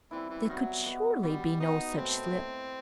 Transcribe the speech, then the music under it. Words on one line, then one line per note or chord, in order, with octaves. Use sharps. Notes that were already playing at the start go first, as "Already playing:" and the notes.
There could surely be no such slip!
E3 G3 C4 E4
E3
E3
D#3 F#3 B3
F#4 B4 D#5
G3 B3
D#4 F#4 B4 D#5
A2 C4